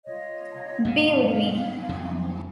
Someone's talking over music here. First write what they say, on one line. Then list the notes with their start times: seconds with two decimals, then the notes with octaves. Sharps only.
B would win.
0.06 F4 C#5 D#5
0.85 G2 B2 D3 F5 F#5
1.89 F2 C#3